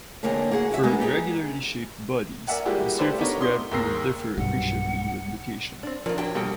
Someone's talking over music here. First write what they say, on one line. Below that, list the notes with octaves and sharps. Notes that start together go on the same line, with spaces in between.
For irregularly shaped bodies, the surface gravity will differ appreciably with location.
F2 A#2 D3 A#3 C#4 G#4
A#3 F#4 G#4 F#5
F#4 E5
G3 G#3 A#3 B3
D#4 G4 G#4
A#4 D5 E5 F#5 G#5
G3 G#3 A#3 E4 F#4 G4
A3 G4 A4 B4 C5 D5
B3 D4 D#4 G4 A#4 C#5
E4 C6 D#6 G7
D#2 G#2 A#4 E6 A#6 C7
B1 G2 F#5
C4 D4
F3 C#4 D#4 F4 A#4 D5
F#3 D4 G4 G5
B2 G3 A#3 A4 G5